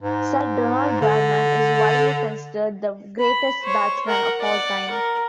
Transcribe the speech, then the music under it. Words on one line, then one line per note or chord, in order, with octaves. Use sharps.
Sir Donald Bradman is widely considered the greatest batsman of all time.
G#2
D3
B5
C5 C#5
A#4 F#5
D5 F#5
A#4